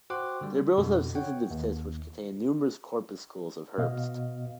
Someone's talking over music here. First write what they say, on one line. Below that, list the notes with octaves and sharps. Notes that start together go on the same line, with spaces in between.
Their bills have sensitive tips which contain numerous corpuscles of Herbst.
F#4 C5 G5 C6 D6 F#6
D3 G3
F2 B2 D3
C#5 F#5 G5
D#2
B2 B3 F#4 D#5 F5